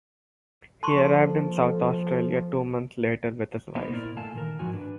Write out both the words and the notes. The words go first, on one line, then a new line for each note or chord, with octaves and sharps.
He arrived in South Australia two months later with his wife.
A#2 F3 A4 A5 C6 C#6
A#3 B3 D#4 F4 C5 D#5
A#2 E4 A#4 D5
A#2 A3 F5 G#5 A5
D#3 A#4
G#2 F3 F#4 G#5
D4 B4